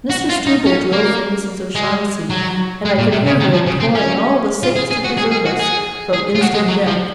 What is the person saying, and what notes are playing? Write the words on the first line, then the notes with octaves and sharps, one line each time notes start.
Mr. Struble drove for Mrs. O'Shaughnessy, and I could hear her imploring all the saints to preserve us from instant death.
F#4
F4
D#4
C#4
A#3
G#3
F#3
G#3
A#2
C3
C#3
D#3
F3
C#3
C4
C#4
F4
G#4
G#4
F#4
G#4
G#4
F#4
G#4
G#4
F4
F#4
G#3
F#3
F3